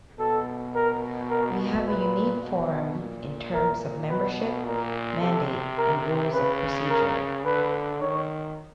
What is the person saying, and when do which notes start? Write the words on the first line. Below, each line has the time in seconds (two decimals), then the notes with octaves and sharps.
We have a unique forum in terms of membership, mandate and rules of procedure.
0.19 B2 A4
0.75 A#4
1.30 A#4
1.87 A#2 B4
2.42 B2
2.99 A#2
3.54 A#4
4.10 B2 B4
4.66 A#2 A#4
5.21 C3 A4
5.78 A#4
6.33 C#3 B4
6.90 A#4
7.44 D3 B4
8.01 D#3 C#5